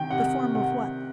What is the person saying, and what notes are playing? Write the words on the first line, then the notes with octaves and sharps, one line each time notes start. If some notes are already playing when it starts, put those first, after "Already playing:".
The form of what?
Already playing: C3 D#3 G5
C3 F#5
C3 F#5